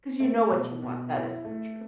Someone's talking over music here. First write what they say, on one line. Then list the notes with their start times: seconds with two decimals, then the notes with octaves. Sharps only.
‘Cause you know what you want. That is for true.
0.20 A3
0.51 B2
0.82 B2
1.14 E4
1.45 A3